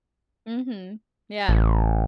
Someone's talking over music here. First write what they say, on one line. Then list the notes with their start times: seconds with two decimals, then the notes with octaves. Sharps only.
Mhm, yeah.
1.49 A1